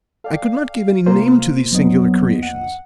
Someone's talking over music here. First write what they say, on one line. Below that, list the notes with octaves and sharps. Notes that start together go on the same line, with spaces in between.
I could not give any name to these singular creations.
A4 D5 F5 G5
C3 A#3 F4 C5
F2 F#3 B3 D4 D#5
F#5